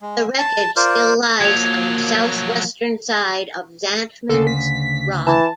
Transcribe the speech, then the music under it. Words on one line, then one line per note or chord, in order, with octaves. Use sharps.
The wreckage still lies on the southwestern side of Zantman's Rock.
G#3
A5
F4 A#4 C5 D5
F3 F#3 A#3 G#6 F7
D2 C#3 A4
B6
E3 A5